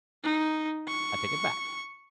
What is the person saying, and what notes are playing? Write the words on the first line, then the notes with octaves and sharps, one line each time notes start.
I take it back."
D#4
C#6